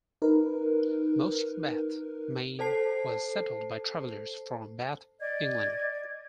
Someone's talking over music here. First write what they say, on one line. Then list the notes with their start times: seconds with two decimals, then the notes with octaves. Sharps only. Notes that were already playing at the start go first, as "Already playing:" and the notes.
Most of Bath, Maine, was settled by travelers from Bath, England.
0.22 D#4 A#4 B4
2.59 A4 C5 A5 C7
5.20 D5 D#5 G#6